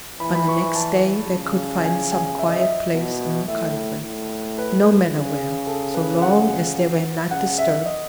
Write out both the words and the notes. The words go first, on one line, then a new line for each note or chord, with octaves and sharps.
On the next day they could find some quiet place in the country--no matter where, so long as they were not disturbed.
E3 B5
B5
C#6
B5
A5
C#3
G#5
G#5
E5
D#5
E5
B2
A2 E5
A2
B4
C#3
A4
B4
F#5
C#3 F#5
E5
D#5